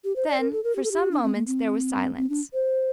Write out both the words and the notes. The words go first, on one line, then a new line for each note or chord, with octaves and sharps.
Then, for some moments, there was silence.
G4
C5
D5
A#4
A4
A#4
G4
A4
G4
D4
C4
A#3
C4
C4
D4
C5